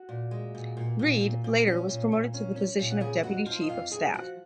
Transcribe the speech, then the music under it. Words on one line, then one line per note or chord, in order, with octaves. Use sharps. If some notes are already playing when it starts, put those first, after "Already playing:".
Reid later was promoted to the position of Deputy Chief of Staff.
Already playing: F#4 F#5
A#2
G#3
A#2
A#2
A#2
A#2
A#2
C#4
A#2
A#2
C#4
C#4
A#2
F#5
C#3 G#4 G#5
F2 F#4 F#5
F3 F4 F5
D#5
F2 F4 F5
F2 G#4 G#5
F3 F#4 F#5